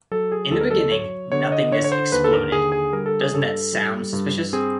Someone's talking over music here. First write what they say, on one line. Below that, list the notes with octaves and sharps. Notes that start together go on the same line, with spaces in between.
In the beginning, nothingness exploded. Doesn't that sound suspicious?
F#3 A4
G#4
D2 A4
A#4
A4
F#3 C#5
D3 C#5
D#5
D3 C#5
C#5
C5
D#2 B4
A4
A#4
D3 G#4
G#4
G3 A#4
A4
G#4
G2 A4
G3
G2
C4 G#4